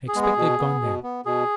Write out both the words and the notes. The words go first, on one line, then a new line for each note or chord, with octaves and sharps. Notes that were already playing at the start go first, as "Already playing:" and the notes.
I expect they've gone there.
G#4
G#3 B3
G#4
B2
B3
B2
B3
B2 G#4